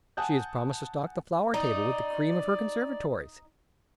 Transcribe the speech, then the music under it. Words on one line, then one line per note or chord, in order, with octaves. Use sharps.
She has promised to stock the flower table with the cream of her conservatories.
F#5 G#5 A5 D#6 F#6 G6
D#4 D5